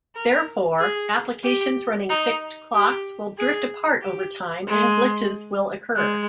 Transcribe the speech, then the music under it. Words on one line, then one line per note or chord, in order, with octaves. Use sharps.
Therefore, applications running fixed clocks will drift apart over time and glitches will occur.
A#4
G#4
G4
D#4
G4
G#4
G4
G#3
G#3